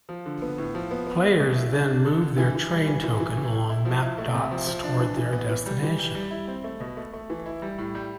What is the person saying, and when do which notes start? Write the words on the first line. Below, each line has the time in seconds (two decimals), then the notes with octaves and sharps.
Players then move their train token along map dots toward their destination.
0.09 F3
0.26 D3
0.42 B3
0.58 A2
0.75 F3
0.91 B3
1.07 B3
1.24 E4
1.39 B2
1.56 E4
1.73 D4
1.88 D4
2.06 D3
2.21 D3
2.38 E3
2.55 E3
2.71 G3
2.87 E3
3.04 E3
3.20 E3
3.37 A2
3.52 A2
3.69 E4
3.85 F3
4.02 E4
4.18 A3
4.34 C3
4.51 F3
4.67 F3
4.84 D4
5.01 E3
5.17 E3
5.33 B3
5.49 E3
5.66 G3
5.82 E3
5.99 G3
6.15 G3
6.31 E4
6.48 C4
6.64 A3
6.80 B2
6.97 A3
7.13 A3
7.30 E3
7.46 E4
7.62 G3
7.78 A2
7.95 G3